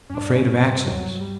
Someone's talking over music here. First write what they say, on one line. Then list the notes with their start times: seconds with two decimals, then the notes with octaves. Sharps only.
Afraid of accidents.
0.09 F#2 C#4
0.14 G2 D4
0.38 C#4
0.61 C4
0.85 F#3
1.20 G3